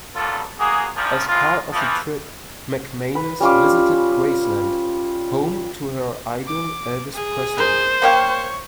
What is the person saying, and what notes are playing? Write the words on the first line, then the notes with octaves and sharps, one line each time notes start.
As part of the trip, McManus visited Graceland, home to her idol Elvis Presley.
B1 G2 A#2 F4 A4
A#3 F#4 G#4
A#1 G2 A#2 F3
A2 G#3 A#3 F4
E3 F3
B4
G3 C#4 F4 D6
D6
G#4
A#4 C5
A#3 G4 C#5 F5